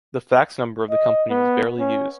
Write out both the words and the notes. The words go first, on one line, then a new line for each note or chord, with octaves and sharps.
The fax number of the company was barely used.
D#5
B3
C#4